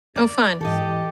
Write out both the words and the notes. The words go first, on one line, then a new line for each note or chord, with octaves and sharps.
Oh, fun.
D5
G#2 E3 G4 A4 D#5